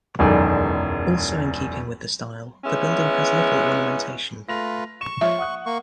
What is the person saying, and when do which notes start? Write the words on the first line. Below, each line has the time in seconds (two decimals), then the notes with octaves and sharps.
Also in keeping with the style, the building has little ornamentation.
0.19 E1 C#2 F#2 D#3 A4 D5
2.65 E2 G#3 B3 C#4 E5
4.49 A3 F4 B4 A#6 F7
5.01 C#6 E7
5.21 F3 F4 C#5 E5
5.39 F#5 D#6 F#6
5.66 A#3 C#6